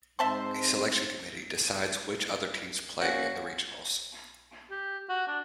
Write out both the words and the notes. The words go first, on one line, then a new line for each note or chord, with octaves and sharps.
A selection committee decides which other teams play in the regionals.
G#2 C4 C5 E5 A5 C6
A#3 C#4 F#4
G4
F#4
D4